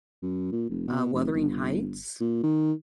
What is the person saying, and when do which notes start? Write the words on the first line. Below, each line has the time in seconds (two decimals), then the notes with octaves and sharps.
uh, Wuthering Heights.
0.22 F#2
0.52 A#2
0.70 F1
0.87 B2
1.13 F1
1.35 G1
2.20 A#2
2.43 D#3